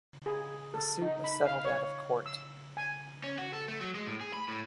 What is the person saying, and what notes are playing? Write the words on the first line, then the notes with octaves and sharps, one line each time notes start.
The suit was settled out-of-court.
G#4
A4
D#4
B5
F5
C#5
E6
G#5
C#4
F#4
A4
A3
F#3
G#3
A2
G#4
B5
A2